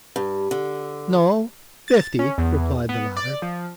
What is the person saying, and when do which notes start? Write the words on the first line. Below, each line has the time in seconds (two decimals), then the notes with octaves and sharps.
"No, fifty," replied the latter.
0.16 G2
0.51 D3
1.88 A6
2.19 C#4
2.38 E2
2.89 B3
3.17 D5
3.42 F3